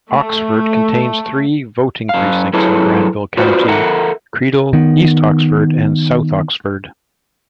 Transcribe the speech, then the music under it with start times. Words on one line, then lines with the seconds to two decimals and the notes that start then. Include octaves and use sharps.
Oxford contains three voting precincts in Granville County: Credle, East Oxford, and South Oxford.
0.12 A3
2.09 F#2 F5
2.53 F#3 E4 G#4 A4 B4 C#5
3.37 F4 F#4 B4 C5 D5
3.68 A4 A#4 E5 F#5
4.73 D#3 B3